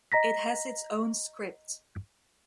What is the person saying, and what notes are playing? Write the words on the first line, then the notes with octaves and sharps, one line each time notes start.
It has its own script.
D#5 A#5 A#6 B6